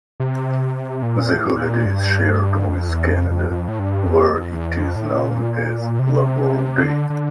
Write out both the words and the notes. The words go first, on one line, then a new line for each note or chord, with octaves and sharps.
The holiday is shared with Canada, where it is known as Labour Day.
C3
A#2
A2
A#2
G2
F2
E2
F2
F2
F2
A2
G2
F2
F2
E2
F2
A2
A#2
C3
D3
D3